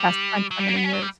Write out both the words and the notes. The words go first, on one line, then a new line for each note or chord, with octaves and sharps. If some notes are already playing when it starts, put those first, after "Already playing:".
best friends for many years.
Already playing: G3
F#3
G3
A#3
B3
C#4
F#3
G3